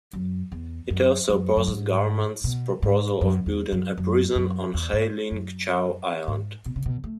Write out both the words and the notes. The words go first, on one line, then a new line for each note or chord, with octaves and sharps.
It also opposed government's proposal of building a prison on Hei Ling Chau Island.
F#2
E2
F#2
F#2
F#2
G#2
B2
G#2
F#2
E2
F#2
F#2
F#2
E2
G#2
F#2
G#2
B2
C#3
B2
A3